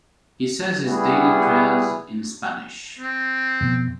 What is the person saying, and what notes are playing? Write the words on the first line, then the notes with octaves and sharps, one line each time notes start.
He says his daily prayers in Spanish.
G3 B3 E4 F#4 G#4 B4
C4
F2 B2